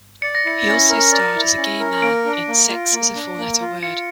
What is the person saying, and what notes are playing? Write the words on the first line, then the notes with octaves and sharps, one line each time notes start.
He also starred as a gay man in "Sex Is a Four Letter Word".
D5 C#7
A#6
E4 C#7
C#4
A#4
D5
E4
C#4
A#4
A#3 D7
D4
A#3
F4
A#3
D4
A#3
F4
F4 C#7